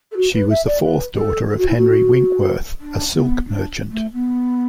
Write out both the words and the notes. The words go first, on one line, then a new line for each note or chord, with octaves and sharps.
She was the fourth daughter of Henry Winkworth, a silk merchant.
A4
F#4
B4
E5
D5
B4
A4
A4
F#4
E4
F#4
D4
B3
D4
A3
B3